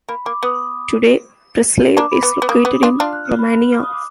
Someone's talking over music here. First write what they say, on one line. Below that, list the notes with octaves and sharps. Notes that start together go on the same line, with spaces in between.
Today Prislav is located in Romania.
A#3 B5
A#3 D6
B3 D#6
A#3 D4 D6
B5
B3 D6
B3
A#3 D#6
B3
D4 F4
D4 F4 F6
F#6
F6
B5
B5
F6
D#6
D6